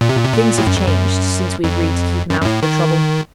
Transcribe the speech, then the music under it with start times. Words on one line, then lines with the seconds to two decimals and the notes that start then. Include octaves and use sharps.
Things have changed since we agreed to keep him out of the trouble.
0.01 A#2
0.09 C3
0.17 A#2
0.25 C3
0.33 A#2
0.58 A2
0.66 F#2
0.77 F2
0.87 F#2
1.64 F2
2.30 F#2
2.41 F#2
2.45 A2
2.62 D#3